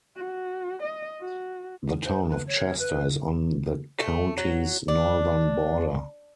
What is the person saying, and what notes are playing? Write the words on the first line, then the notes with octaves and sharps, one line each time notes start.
The Town of Chester is on the county's northern border.
F#4
D#5
F#4
C5
B4
C#5
B4
A3
F#3
D4